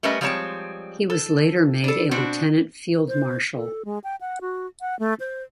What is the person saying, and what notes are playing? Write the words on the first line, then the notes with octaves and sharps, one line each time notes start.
He was later made a Lieutenant Field-Marshal.
G3 A3 C#4 A#4 B4 D#5
F3 G3 G#3 C4 C#5 A5
A4
D4 A4
B2 C4 D4 F#4
C5
A4
G#3
G5
F#5
F#4
F#5
A3
C5